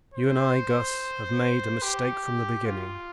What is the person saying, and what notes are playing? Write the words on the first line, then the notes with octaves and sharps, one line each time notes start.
You and I, Guss, have made a mistake from the beginning.
C5
G4
F4